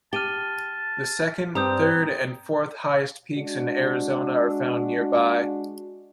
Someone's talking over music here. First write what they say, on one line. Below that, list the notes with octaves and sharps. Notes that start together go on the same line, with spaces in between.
The second, third, and fourth highest peaks in Arizona are found nearby.
G4 A5 F6 D#7 G7
G2 G3 C4 A#5 D#6 G6
G#3 D4 F#4